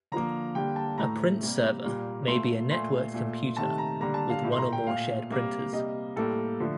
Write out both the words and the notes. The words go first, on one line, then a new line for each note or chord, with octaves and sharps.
A print server may be a networked computer with one or more shared printers.
D3 F3 A#3 A#5
D3 G3 A#3 G5
A5
A2 A3 A#5
C3 G3 A#3
A#2 G3 A#3
A#2 A3 C6
A#2 A3 C6
A#2 A3
C3 D#3 A3 A5
A#5
D3 G3 A#3 A#5
A5
F5
A2 A3
C6
A#5
G5
A#2 A3 F5
C3 G3 A#3
C3 G3 A#3 D#5
A2 G3 A#3 A4
D3 F3 A3